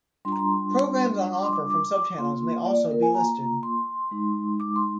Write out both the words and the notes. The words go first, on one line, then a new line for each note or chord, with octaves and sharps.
Programs on offer from subchannels may also be listed.
G3 D4 F4 C6
A#5
C6
D6
C6
D6
D6
A#3 F4 C6
D5
A#4
G#5
A#5
C6
G#3 D#4
D6
C6